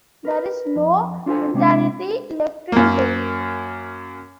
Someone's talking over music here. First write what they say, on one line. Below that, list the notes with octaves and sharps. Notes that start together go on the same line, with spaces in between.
There is no vitality left in them.
A#4 B4
F2
D4 F4 A4 C5 G#5
C3 G#3 C4 D4
F#2 A#3